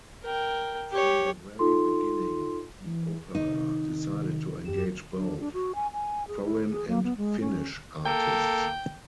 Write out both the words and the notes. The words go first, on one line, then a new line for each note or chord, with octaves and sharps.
From the very beginning, the opera decided to engage both foreign and Finnish artists.
A#4 G5
G4 C#5
D#4 F4 A4 C6
E3
C3 D#3 D#4
F#2 G4 E7
D4
D4
F#4
G#5
G#5
G#4
E4
G#4
A#3
B3
G#3
C#4
A#3 A4 G5